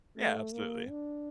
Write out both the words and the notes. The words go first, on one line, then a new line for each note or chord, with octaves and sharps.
Yeah, absolutely.
A3
A#3
D4